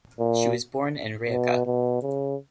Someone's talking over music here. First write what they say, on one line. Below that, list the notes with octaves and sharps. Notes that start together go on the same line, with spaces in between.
She was born in Rijeka.
A#2
B2
B2
C#3